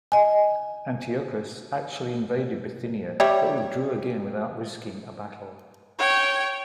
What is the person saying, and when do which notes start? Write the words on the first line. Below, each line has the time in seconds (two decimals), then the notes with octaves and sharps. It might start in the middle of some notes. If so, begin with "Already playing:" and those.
Antiochus actually invaded Bithynia but withdrew again without risking a battle.
0.12 D#5 G#5
3.20 G3 C#5 E5
5.99 C#5 G5